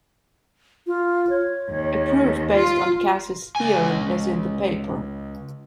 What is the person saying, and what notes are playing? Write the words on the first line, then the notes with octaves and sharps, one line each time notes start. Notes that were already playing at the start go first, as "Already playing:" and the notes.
A proof based on Casey's theorem is in the paper.
F4
C#5
D#2
F4
C#2 G#5